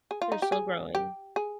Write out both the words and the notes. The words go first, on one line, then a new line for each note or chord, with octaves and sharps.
They're still growing.
G#4
F4
D#4
G4
G#4
G4
G#4